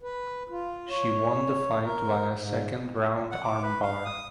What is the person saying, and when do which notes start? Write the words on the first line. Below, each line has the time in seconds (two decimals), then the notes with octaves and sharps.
She won the fight via second round armbar.
0.02 B4
0.49 F4
0.90 C#5
1.83 A#4
2.35 G#2
3.32 F#5
3.43 D6
3.63 B4
3.82 F5
4.05 D#6